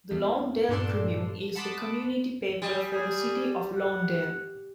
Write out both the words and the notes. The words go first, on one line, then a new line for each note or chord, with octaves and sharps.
The Lawndale Tribune is the community paper for the City of Lawndale.
E2
G2 A#2 D4 A4 C6
F#5 A5 B5 C6 D6 D#6
G3 G#4
G#4
F#5